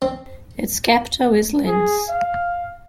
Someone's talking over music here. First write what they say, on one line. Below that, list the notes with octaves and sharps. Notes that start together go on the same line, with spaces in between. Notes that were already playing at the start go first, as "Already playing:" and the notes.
Its capital is Linz.
C4
G#4
F5